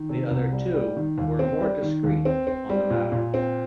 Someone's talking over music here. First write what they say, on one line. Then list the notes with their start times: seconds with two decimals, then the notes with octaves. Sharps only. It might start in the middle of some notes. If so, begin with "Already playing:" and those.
The other two were more discreet on the matter.
Already playing: D#3
0.09 C3
0.31 C2
0.52 G3
0.74 G3
0.97 D#3
1.18 D#2
1.39 C4
1.61 G3
1.82 D#3
2.04 D#2
2.25 C4
2.47 C4
2.70 G3
2.90 A#2
3.12 A#2
3.34 C4